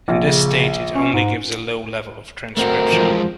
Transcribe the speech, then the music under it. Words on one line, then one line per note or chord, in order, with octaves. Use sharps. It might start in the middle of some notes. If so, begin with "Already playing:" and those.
In this state, it only gives a low level of transcription.
A#1
C#3
C#4
G#2
A3 C4 F#4 A#4
E2 F3 G#3